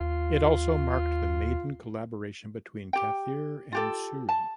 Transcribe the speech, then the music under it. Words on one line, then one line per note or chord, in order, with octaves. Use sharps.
It also marked the maiden collaboration between Kathir and Soori.
D#2 F4
G4 G5
F4 G4 A4
A5